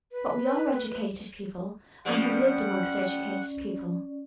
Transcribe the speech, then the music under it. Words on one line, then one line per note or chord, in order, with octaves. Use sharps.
But we are educated people, and have lived amongst educated people.
B4
F3 G3 C#4 D5 F#5